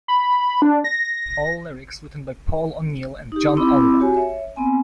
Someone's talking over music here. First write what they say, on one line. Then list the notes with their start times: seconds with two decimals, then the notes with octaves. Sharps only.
All lyrics written by Paul O'Neill and Jon Oliva.
0.08 B5
0.62 D4
0.84 A#6
3.32 D#4 G4
3.57 C4 E4 B5 D6 E6
4.00 F#4 G4 C#5 G#5
4.17 C#5 E5
4.56 B3 C4 G#5